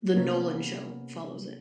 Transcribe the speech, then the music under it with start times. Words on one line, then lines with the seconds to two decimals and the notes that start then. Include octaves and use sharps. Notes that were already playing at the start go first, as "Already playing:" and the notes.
"The Nolan Show" follows it.
0.14 C3 A#3 B3 C#4 A#4 C#5